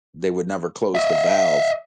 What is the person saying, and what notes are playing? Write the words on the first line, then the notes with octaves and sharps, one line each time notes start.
they would never close the valve,
D#5 E5